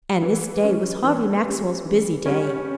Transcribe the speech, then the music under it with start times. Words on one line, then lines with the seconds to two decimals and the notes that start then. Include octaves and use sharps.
And this day was Harvey Maxwell's busy day.
0.22 E3
0.63 G3 C#4
1.04 E3
1.44 G3 C#4
1.85 E3
2.26 G3 C#4